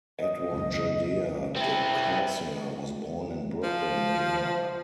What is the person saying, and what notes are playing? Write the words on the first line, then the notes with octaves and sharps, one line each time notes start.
Edward Gildea De Corsia was born in Brooklyn, New York.
D#5
C#2 F#2
C4 E4
F3